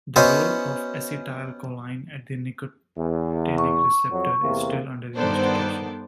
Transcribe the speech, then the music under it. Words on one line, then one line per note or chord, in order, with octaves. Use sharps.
The role of acetylcholine at the nicotinic receptor is still under investigation.
B3 C#4 F#4 C5 D#5 E5
E2
C#6
F2 F#3
E2 C3 A#3
G2 D#3 B3 A4 C5 D5